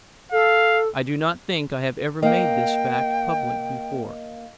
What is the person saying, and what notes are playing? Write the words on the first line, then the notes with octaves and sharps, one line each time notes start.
I do not think I have ever made this fact public before.
A4 F5
A#3 D#5 F5 G5